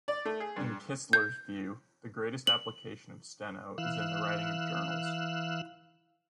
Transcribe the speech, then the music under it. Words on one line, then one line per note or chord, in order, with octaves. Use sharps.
In Kistler's view, the greatest application of Steno is in the writing of journals.
D5
A3
G#4
G2
G6
F#7
E3 F5 E6 F#6